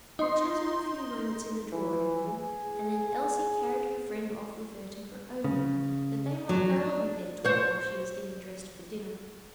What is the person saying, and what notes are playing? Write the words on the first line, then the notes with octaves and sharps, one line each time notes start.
They chatted a few moments in the drawing-room, and then Elsie carried her friend off with her to her own room, that they might go on with their talk while she was getting dressed for dinner.
D#4 C6
E3
G#4
C#3
F#3
D4
C5 C#5